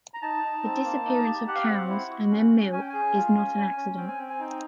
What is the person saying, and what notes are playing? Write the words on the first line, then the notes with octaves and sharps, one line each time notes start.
The disappearance of cows, and then milk, is not an accident.
A#5
D#4 A5
D#4
C4
A#3
D#4
G4
G4 F#5
F5
C4 F#5
E4
F#4
C#4
C#4
C#4 G#5
G5
G#4 G#5
F4
C#4
C#4
C#4
C4 G5
G#5
C4 G5
G#5
D#4 G5